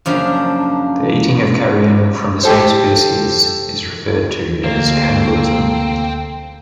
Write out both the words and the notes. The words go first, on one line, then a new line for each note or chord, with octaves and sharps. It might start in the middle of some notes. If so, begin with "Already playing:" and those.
The eating of carrion from the same species is referred to as cannibalism.
F#2 C#3 F3 A#3 D4
G4 A4 C5
D2 A#3 C4 A4